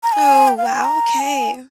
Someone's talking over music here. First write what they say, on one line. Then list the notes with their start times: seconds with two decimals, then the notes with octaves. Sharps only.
Oh, wow, okay.
0.03 A#5
0.12 G#5
0.48 G5
0.57 F5
0.66 G5
0.76 G#5
0.84 A#5
1.19 G#5